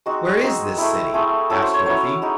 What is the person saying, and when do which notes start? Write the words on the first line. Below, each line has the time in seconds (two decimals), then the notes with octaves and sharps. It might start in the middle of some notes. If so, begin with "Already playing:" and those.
"Where is this city?" asked Dorothy.
0.06 G#3 C4 D#4 F#4
0.42 G#3 C4 D#4 F#4
0.78 A3 C4 E4
1.14 A3 C4 E4 G#4
1.50 F#3 C#4 E4 A4
1.62 C5
1.74 C#5
1.86 F#3 C#4 E4 C#5
2.22 G#3 D#4